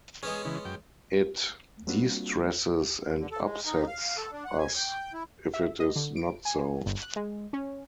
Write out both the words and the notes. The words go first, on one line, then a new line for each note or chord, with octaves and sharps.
It distresses and upsets us if it is not so.
G#3 B3 C#4 G#4
C#3 E3
F#2 G5
G3 A#3 C4 D4 F4 F#4
D3
A4
G#3
D#4
F5
A4
D4
F#5
G#5
G5
E4
E5
D#5
D3
D7
G#5
G1
F#6
G#3
C#4